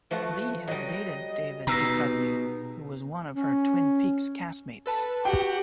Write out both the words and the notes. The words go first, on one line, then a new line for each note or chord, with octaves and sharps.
Lee has dated David Duchovny, who was one of her "Twin Peaks" cast-mates.
F3 A3 F#4 B4
F#3 G3 D#5
B2 D#4 G4 G#4 B4 A#5 E6 A#6
C#4
A4 B4 A5
F#4 G4 G5